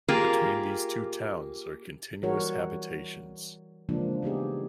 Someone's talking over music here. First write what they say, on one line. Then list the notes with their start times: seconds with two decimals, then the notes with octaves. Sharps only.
Between these two towns are continuous habitations.
0.08 A#3 F4 G4 G#4 A#4
2.23 E3 G3 F#4 A#4 C#5
3.89 C#3 E3 F3 G#3 A#3 D4
4.22 B3 D#4 G4 G#4